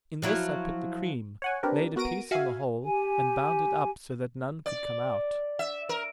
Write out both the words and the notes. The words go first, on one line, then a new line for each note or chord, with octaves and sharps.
In this I put the cream, laid a piece on the hole, and bound it up so that none could come out.
F3 F#3 E4
C#5 F#5 G#5
C4 D4 G4 A#4 B4
B3 F#4 A#4 A#6 D7 D#7
F#4 E5 F5 G#5
G4 G#5
D5
E5
A#4